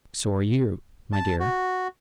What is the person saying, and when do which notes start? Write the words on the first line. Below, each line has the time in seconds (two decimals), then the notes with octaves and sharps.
So are you, my dear.
1.13 A5
1.40 F#4